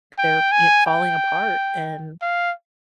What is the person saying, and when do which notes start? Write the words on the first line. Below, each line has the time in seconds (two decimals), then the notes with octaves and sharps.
they're y falling apart, and
0.18 G5
0.52 G#5
0.86 G5
2.21 F5